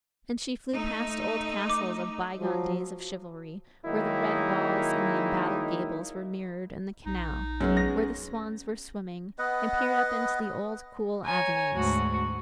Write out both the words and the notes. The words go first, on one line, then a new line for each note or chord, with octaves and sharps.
And she flew past old castles of by-gone days of chivalry, where the red walls and the embattled gables were mirrored in the canal, where the swans were swimming, and peered up into the old cool avenues.
A3 D#4
D6
F3 F#3
D#3 F#3 G#3 A#3 D#4 E4
A#1 D#4
F#2 G#3 B3 C#4
A#6
B3 B4 D#5 F#5
C#5 G#5 A#5
D2 G#2 F#4